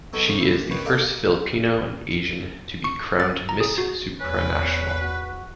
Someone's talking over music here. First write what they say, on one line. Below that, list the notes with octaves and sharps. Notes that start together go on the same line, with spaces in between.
She is the first Filipino and Asian to be crowned Miss Supranational.
F#3 B3 D#4 A4 C#5
F2 G#2 C3 F3 F#3 C#4
E4
A#2
D#3 B3 B4 C#5 F#5 G5
A4 A#4 D5 D#5 F5 F#5
C#6
A6
A#5
G#4
F#4
E2 C#4 B4
F#4